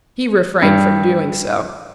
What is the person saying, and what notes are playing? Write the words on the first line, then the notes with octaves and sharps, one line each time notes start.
He refrained from doing so.
G2